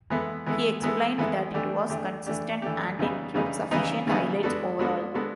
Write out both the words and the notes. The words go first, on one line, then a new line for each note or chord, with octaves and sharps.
He explained that it was "consistent and includes sufficient highlights" overall.
E3 G#3 B3 E4 A4
E3 G#3 B3 E4 A4
E3 G#3 B3 E4 A4
E3 G#3 B3 E4 A4
E3 A3 D4 G4
E3 A3 D4 G4
E3 A3 D4 G4
E3 A3 D4 G4
C#3 E3 G3 B3 D#4
C#3 E3 G3 B3 D#4
C#3 E3 G3 B3 D#4
C#3 E3 G3 B3 D#4
G#3 B3 D4 F#4 A4
G#3 B3 D4 F#4 A4
G#3 B3 D4 F#4 A4